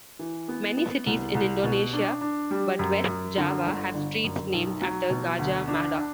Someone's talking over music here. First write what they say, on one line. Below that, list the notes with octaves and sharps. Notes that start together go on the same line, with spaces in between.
Many cities in Indonesia but West Java have streets named after Gajah Mada.
E3
B3
B3
C2
C2
B2
D4
D4
G3
F#2
F#2
D3
G1
G1
F#2
B1
F#3
B2
D2
D4
D4